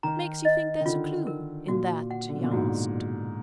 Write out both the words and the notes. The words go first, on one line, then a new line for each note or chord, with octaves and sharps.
"What makes you think there's a clue--in that?" he asked.
D#3 A#5
D#5
D#3
D3 F4
A#4
A#2 F#4
F#5
D3
B2
A#2
G#2 F#4